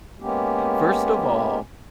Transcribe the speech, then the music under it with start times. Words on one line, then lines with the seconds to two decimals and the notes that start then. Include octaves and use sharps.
First of all,
0.20 G#3 A#3 B3 C#4 G4